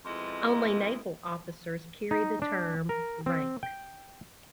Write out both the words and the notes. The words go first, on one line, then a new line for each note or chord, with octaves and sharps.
Only Naval Officers carry the term "rank".
F2 B2 G#3 E4 D#5
D#4
D4
A#4
C4
G5